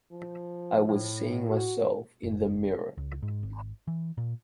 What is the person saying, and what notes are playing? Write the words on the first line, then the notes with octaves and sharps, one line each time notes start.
I was seeing myself in the mirror.
F3
A2
F#4
F#1
C#2
G#2
G#1
E3
A#2